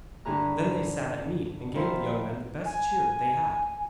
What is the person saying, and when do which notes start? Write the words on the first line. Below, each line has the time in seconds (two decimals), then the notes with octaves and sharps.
Then they sat at meat, and gave the young man the best cheer that they had.
0.25 G2 D3 E4 G#4 A#5 F#6
1.74 D#3 F3 E4 C5
2.65 G#5